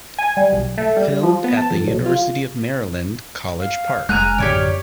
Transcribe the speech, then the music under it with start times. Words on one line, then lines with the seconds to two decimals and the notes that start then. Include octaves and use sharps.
Filmed at the University of Maryland, College Park.
0.19 G#5
0.37 G3
0.52 B1
0.78 A3
0.97 G3
1.23 F3
1.44 B3
1.57 A5
1.71 F2
1.87 B1
2.06 F4
3.60 F5
4.09 F1 G#3 G#5 A#5 F6 F#6
4.38 A1 F#2 D3 G4 C#5 D5